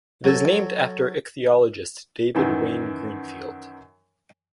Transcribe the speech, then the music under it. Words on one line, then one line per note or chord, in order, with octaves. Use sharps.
It is named after ichthyologist David Wayne Greenfield.
F#3 A4
F#2 D#3 E3